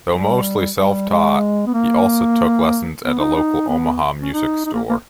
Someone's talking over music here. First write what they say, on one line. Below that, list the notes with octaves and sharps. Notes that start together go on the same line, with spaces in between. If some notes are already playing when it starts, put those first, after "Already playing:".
Though mostly self-taught, he also took lessons at a local Omaha music store.
G3
G3
G#3
B3
A#3
B3
D#4
D#4
B3
C#4
D#4
D#4
A#3
A#3